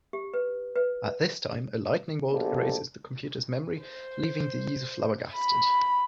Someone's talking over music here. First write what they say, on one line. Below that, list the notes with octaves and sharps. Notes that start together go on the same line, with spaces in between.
At this time, a lightning bolt erases the computer's memory, leaving the user flabbergasted.
G4
B4
B4
A#1 B2 G4 A4
C5
B5